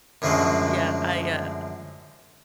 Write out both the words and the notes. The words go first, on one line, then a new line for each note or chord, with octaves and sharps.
Yeah. I, uh,
F#2 A2 D3 F3 F#3 G#3